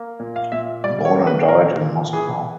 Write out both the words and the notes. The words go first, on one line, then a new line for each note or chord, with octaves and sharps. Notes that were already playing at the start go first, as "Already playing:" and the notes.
Born and died in Moscow.
Already playing: A#3
A#2
F5
A#2 E5
G3 D5
C#5
A#3
B4
A#2 A#4
A#2
E3 G#4